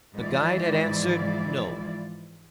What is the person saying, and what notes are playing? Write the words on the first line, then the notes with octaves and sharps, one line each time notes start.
The guide had answered No.
G#2 E3 F3 E4 F4 D5